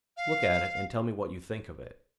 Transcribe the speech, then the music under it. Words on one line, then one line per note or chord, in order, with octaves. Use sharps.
"Look at it, and tell me what you think of it."
F5